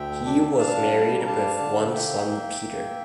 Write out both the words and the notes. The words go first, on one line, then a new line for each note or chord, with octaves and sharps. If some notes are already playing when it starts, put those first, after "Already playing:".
He was married with one son Peter.
Already playing: D2 E5 G5
D4
D4 F5 A5
G3
A#5
D4 F5 A5
D3
A#3 E5 G5
A#3
A#3